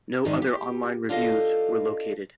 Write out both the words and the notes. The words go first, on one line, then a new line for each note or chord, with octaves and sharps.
No other online reviews were located.
E2 G#2 D#3 G3 D4 D#4
G4
D4 F4 A4 A#4 D#5 F5